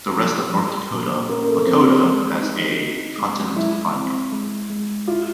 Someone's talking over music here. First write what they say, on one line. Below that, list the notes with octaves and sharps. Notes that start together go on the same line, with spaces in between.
Like the rest of North Dakota, Lakota has a continental climate.
F3
F3
A#2
A#3 C#4
A3
F3 C4
G#3
D#4
D#4
G#3
G#3 E4
C4
G#3
G#3
E4 F4